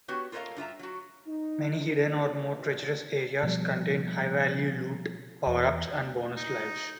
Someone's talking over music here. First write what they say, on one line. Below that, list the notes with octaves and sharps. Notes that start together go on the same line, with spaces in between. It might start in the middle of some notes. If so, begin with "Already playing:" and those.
Many hidden or more treacherous areas contain high-value loot, power-ups and bonus lives.
B3 F#4 G4 B4 C#5
F4 A4 A#4 C#5 D#5 F5
G2 F4 E5 A#5
F#3 F#4
D#4
F#1
A1
B2 F3 G3
E2
D#4